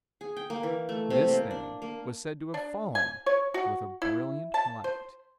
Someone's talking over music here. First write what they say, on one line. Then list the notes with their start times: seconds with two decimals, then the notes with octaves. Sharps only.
This thing was said to have fallen with a brilliant light.
0.21 G#4
0.37 G5
0.50 A#3
0.63 E3
0.89 A3
1.10 C3
1.28 A#3
1.51 D4
1.82 A#3
2.54 D4
2.95 G#5
3.26 C#5
3.54 F#4
4.02 E4
4.54 A5
4.84 C5